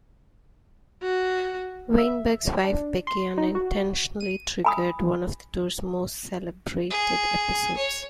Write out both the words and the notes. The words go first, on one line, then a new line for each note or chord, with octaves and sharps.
Weinberg's wife Becky unintentionally triggered one of the tour's most celebrated episodes.
F#4
E5
D4
C6
D#4
F#4
D#7
G#5 B5 D#6
G#4
C#5